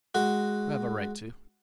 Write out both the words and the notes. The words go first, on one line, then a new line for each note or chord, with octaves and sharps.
You have a right to.
G#3 F#4